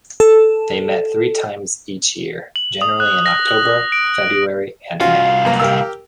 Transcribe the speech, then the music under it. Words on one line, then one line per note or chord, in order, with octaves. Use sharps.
They met three times each year, generally in October, February and May.
A4
F#7
D#6
F#6
A#6
F#7
D7
C2 C#4 F4 F#4 F5
F#2 A#3 A#5
G4 A#4 E6